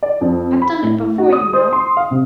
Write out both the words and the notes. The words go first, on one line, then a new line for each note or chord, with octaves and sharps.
I've done it before, you know.
D5
F2
B5
A2
F#4
D#6
C5
C6
F5
C3